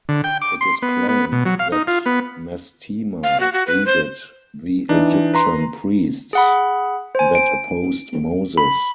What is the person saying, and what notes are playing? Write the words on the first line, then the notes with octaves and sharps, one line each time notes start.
It is claimed that Mastema aided the Egyptian priests that opposed Moses.
D3
G5
D6
C6
B3
B3
B2
F#3
F5
D#4
F4
B3
F5
F#4
F#4
B4
C5
E3 D4 D#4
B4 A#5 C6
G#4 F#5 B5
C5 G#5
D7
B5